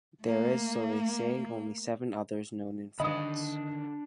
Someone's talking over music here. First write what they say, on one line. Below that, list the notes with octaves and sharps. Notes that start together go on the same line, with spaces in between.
There is, so they say, only seven others known in France.
A3 A#3
D3 D#3 D4 D#5 B5 D#6